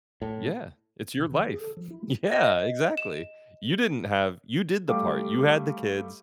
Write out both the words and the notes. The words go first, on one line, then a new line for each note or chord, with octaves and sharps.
Yeah. It's your life. Yeah, exactly. You didn't have you did the part, you had the kids,
A2
C3
D#3
G#4
A4
F3
E4
D#5
E7
G3 A3 G4 F5 D6